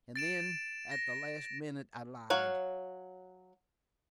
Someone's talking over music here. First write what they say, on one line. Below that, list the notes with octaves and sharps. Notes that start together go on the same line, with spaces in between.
And then, at the last minute, I lied.
A6 D7 E7
A#6
F#3 C#5 F5 F#5